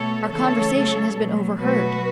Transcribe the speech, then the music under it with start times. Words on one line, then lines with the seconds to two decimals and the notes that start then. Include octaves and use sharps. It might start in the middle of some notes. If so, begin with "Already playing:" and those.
"Our conversation has been overheard."
Already playing: B2 A3 A4 C#5
0.32 C#3 E3 A3 A4 C#5
0.74 C#3 F#3 A3
1.16 B2 F#3 A3
1.58 B2 F#3 A3 F#4 B4